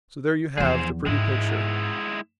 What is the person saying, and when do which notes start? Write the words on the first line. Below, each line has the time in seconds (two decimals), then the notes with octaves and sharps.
So there you have the pretty picture.
0.58 E2 F3 G#4 C5
1.06 G#2 G#3 E4